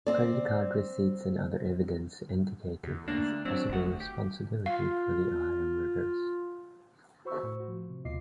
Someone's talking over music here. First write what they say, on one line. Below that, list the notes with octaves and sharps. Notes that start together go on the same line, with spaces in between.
Credit card receipts and other evidence indicated his possible responsibility for the Ohio murders.
C4 D5
E2
D2 A#3 D4
F#3 C4 D4
G1 D2 F#4
G4
F4 F5
F#4 C5 B5 C#6 E6
A2
F#4 C5
F3
C3
D2 B2 F4 D#5 D6 C7